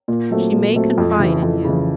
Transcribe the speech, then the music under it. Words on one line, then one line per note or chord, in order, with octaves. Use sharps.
She may confide in you.
A#2
F#3 A3 C4
A#2
F#3 A3 C4
F2
C#3 E3
F2
C#3 E3